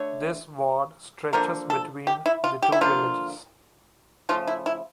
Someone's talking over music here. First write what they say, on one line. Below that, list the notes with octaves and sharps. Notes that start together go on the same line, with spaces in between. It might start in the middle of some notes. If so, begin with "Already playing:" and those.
This ward stretches between the two villages.
Already playing: D3 A3 C#5
D3 F3 A#3 A#4
A4
G4
E4
F4
G4
E4
D3 F3 A#3 F4
C#3 F3 A3 F4
E4
E4